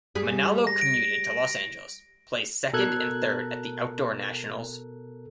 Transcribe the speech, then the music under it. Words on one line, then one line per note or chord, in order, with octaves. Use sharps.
Manalo commuted to Los Angeles, placed second and third at the Outdoor Nationals.
G3 G#4
A#6
D7
B2 A4 A#4 F#6 G#6